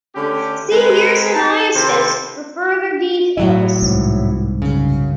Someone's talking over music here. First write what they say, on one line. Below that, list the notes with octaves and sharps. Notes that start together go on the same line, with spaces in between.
See yersiniosis for further details.
D3 A3 C#4 G4
G#3 C4 A#4 B4
D#4 A5
C3 D#3 E4 A4 C5
A2 F#3 E4
C2 G#2
F#2 C#3